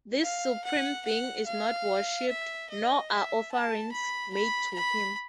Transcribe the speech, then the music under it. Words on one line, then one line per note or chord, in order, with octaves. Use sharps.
This supreme being is not worshiped, nor are offerings made to him.
F5
F#5
F#5
F5
E5
D#5
E5
A5
B5
B5
B5